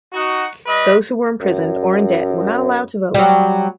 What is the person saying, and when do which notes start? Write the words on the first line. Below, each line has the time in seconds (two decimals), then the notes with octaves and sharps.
Those who were imprisoned or in debt were not allowed to vote.
0.13 D#4 F#4
0.66 G3 B4 D#5
1.41 F#2
3.14 F#3 G3